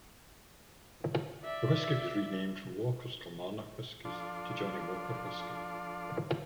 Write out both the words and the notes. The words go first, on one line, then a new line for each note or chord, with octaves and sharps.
The whisky was renamed from Walker's Kilmarnock Whiskies to Johnnie Walker Whisky.
D5 E5
F3 D4 F4 A4 D5 C6